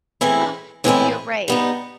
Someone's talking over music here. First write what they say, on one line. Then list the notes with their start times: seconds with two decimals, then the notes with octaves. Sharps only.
"Oh, you're right.
0.21 A2 E3 G#3 C4 E4
0.84 A2 E3 G#3 C4 E4
1.48 G3 B3 D#4